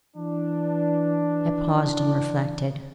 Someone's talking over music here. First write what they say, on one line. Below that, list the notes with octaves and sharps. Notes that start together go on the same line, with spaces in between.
I paused and reflected.
E3 D4